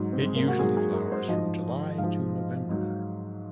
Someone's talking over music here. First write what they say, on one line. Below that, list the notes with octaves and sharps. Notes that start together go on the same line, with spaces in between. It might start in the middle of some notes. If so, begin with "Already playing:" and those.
It usually flowers from July to November.
Already playing: G#2 F#3 D#4
C4
G#3
A#3
F#4
G#2 F#3 G#4
G#4
A#4
C5
G#2 F3 D#5
G#2 F5
F3
G#2 F#3